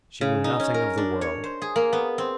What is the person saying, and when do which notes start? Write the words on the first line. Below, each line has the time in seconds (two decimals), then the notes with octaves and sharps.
She knew nothing of the world.
0.21 C#3
0.44 D#4
0.60 C#4
0.74 A#4
0.97 D4
1.21 C#5
1.44 C5
1.62 G#4
1.76 A#3
1.93 B3
2.18 C4